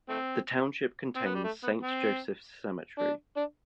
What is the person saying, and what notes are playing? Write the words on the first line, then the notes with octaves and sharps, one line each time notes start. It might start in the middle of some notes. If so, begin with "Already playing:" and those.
The township contains Saint Joseph's Cemetery.
A3 C4
C4
B3
G3
A3
B3
C4
D4
D4